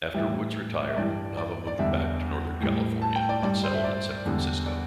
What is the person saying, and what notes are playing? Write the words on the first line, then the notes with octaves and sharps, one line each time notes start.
After Woods retired, Nava moved back to Northern California and settled in San Francisco.
A2 E3 G3 E5
E5
G2 E3 G3 D5
D5
D5
E2 D3 G3 E5
A2 G3
A5
G5
D5
G2 G3 D5
C5
E5
D5
E2 D3 G3
D5